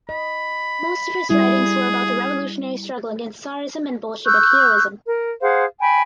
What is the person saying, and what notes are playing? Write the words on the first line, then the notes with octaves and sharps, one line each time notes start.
Most of his writings were about the revolutionary struggle against tsarism and Bolshevik heroism.
D#5 B5
G3 E4 F#4 G#4
C#6 E6 F#6 G6
A#4
G#4 C5 F5 F#5
G5 G#5 B5